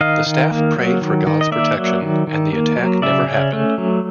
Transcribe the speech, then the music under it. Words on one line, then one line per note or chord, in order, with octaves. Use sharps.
The staff prayed for God's protection, and the attack never happened.
D#3 D#5 F5
D#3
A#3
F#3
D#3
D#3
D#5
A#3 D5 E5
F#3
D#3
D#3
A#3
F#3
C#3 D5 E5
C#4
A3
F#3